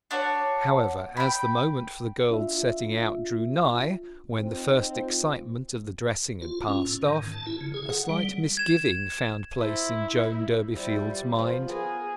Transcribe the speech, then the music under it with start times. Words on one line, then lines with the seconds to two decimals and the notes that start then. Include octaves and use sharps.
However, as the moment for the girl's setting out drew nigh, when the first excitement of the dressing had passed off, a slight misgiving found place in Joan Durbeyfield's mind.
0.11 D4 F#4 C#5
1.17 G5 B5
2.30 D4 F4 E5
4.38 C4 D#4 F4
6.42 F4
6.68 C#4
6.85 A2
7.03 D#3
7.17 G#2
7.32 A5
7.46 E4
7.61 C#3
7.74 G#4
7.90 F#5
8.09 G3
8.57 G#6 E7
9.58 E4 A4 C5
10.24 D#4
10.74 F3 G3 E4
11.36 F3 B3
11.69 B3 G#4 A#4 G#5